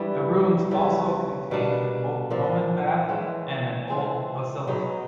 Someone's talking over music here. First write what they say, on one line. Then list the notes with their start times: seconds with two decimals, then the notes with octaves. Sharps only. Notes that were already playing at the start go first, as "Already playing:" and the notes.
The ruins also contain an old Roman bath and an old basilica.
Already playing: G2 E3 G3 B3
0.71 C#3 E3 G3
1.51 B2 G3 A#3 D4
2.30 A#2 F3 A#3 D4
3.09 E3 G#3 C#4
3.88 E3 G#3 C4 F4
4.67 F#3 B3 D#4 G#4